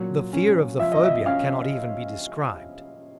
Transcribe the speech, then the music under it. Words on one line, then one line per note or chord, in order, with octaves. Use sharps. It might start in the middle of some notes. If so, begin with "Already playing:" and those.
The fear of the phobia cannot even be described.
Already playing: A#2 F#3
C#4
F3 E5
D#5
E5
C#4 F5